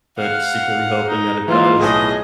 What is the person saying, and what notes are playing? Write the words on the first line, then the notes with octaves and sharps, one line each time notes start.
but secretly hoping that it does.
F5 F#5
D#4
E3 A#3 F4
B1 A2 G#4 D#5